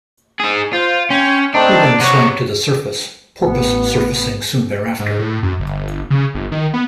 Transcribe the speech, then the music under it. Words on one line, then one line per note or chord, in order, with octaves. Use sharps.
He then swam to the surface, "Porpoise" surfacing soon thereafter.
D#4 G#4
F4 C5
C#4 G5 G#5 C6
A3 C4 D4 D#4
C3 C#5 F#5 A#5
A1 B3
G#2
A2
F#2
G1
C#3
G1
D#3
B3